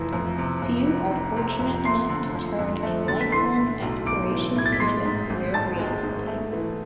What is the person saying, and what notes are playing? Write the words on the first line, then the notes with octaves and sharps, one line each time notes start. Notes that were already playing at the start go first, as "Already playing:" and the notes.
Few are fortunate enough to turn a lifelong aspiration into a career reality.
Already playing: F1 F2 E3 A3
F2
C3
F2
F1
F1
C3
F2
A3 C6 C7
D3
F2
F2
A3
D3 A6
B6
E3 C6 C7
A2
B1
B1 D6 D7
E3
A2 G#6
A6
B6
G#3 C6 C7
G#2
G#1
G#1 A5 A6
G#3
G#2
A3
E3